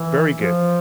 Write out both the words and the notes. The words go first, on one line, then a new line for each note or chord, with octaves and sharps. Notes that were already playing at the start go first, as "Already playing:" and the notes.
very good.
Already playing: E3
F3